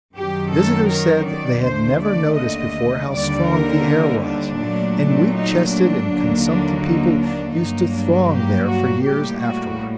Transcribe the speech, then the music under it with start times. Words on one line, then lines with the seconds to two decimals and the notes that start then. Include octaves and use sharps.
Visitors said they had never noticed before how strong the air was, and weak-chested and consumptive people used to throng there for years afterwards.
0.16 F#2 D#3 F#3 G4
0.53 A4
0.90 A#4
1.27 D5
1.64 D#2 D3 A3 C5
2.01 D5
2.38 D#5
3.12 D#2 D3 G3 D5
3.49 A#4
4.23 D4
4.60 A#2 F#3 A3
5.35 D#4
5.71 D4
6.09 D#2 D3 F#3 A#3
6.45 D4
6.83 D#4
7.19 D4
7.57 G2 F#3 A#3 D#4
7.94 D4
8.31 G4
8.69 F#4
9.05 A2 G3 A#3 G4
9.43 F#4